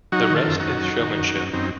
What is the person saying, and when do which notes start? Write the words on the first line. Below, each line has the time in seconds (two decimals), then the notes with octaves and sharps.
The rest is showmanship.
0.12 F#3 D#4 F#4
0.30 D#3
0.35 F4 A4
0.47 F#2
0.60 D#4 F#4
0.66 F#2
0.83 F#3
1.00 D#3
1.18 F#2
1.36 F#2
1.53 F#2 C4 D#4